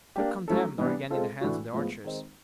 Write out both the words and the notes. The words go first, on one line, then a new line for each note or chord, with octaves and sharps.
The two condemned are again in the hands of the archers.
A#3 D4 G4
F#3 A3 C#4 E4 A4
E3 G3 B3 D4
G#3 C4 F4 A4
A2 E3 A3 D4 F#4
A2 F3 G#3 B3
D#3 G#3 C4 D#4